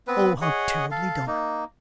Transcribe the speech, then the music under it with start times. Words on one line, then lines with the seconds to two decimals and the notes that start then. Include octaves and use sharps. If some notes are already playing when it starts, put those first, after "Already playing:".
"Oh, how terribly dark!"
0.07 B3 C4 B4
0.42 G#4 C#5 D#5 F#5
0.91 A4 F5
1.27 A#3 D#4